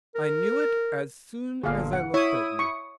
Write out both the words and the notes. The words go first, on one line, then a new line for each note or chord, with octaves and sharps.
"I knew it as soon as I looked at you."
A#4
G1 A#2 D3 G#4 F5
F#5
E4 C#5 D#6
C#6